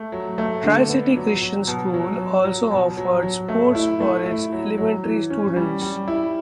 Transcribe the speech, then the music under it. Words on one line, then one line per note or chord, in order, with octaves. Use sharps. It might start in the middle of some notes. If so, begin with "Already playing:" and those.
Tri-City Christian School also offers sports for its elementary students.
Already playing: A3
F#3
A3
D3
B3
F#3
F#3
B2
F#3
F#3
F#3
B2
F#3
F#3
A3
E4
A3
E4
F#3
F#3
E3
C#4
G3
G3
E4